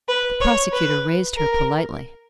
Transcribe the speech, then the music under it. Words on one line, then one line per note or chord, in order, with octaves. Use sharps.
The prosecutor raised her politely.
B4
C#5
B4
A#4